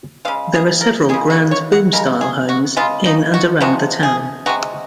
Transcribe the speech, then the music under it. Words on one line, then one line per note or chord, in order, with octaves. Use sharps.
There are several grand "boom style" homes in and around the town.
C#3 G#3 F5
G#4
A#4
C#3 G#3 G#4
F#4
C#5
F#5
C#3 G#3 A#4
G#4
F#4
C#3 G#3 F4
D#4
F#4
C3 F3 G#3 F#4
G#4
C3 F3 G#3 F#4